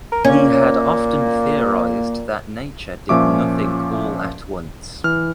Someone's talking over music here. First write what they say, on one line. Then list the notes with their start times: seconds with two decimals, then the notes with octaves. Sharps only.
He had often theorized that nature did nothing all at once.
0.12 A#4
0.25 A#2 A#3 C#4
3.09 A#2 F3 C#4 E5 C#6 D6
5.04 E3 F6